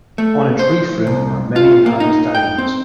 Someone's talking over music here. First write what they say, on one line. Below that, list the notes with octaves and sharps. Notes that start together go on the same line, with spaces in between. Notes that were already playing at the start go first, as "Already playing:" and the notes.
On its reef rim are many inhabited islands.
A3
C5
C2
F4
A#3
D#4
G5
C4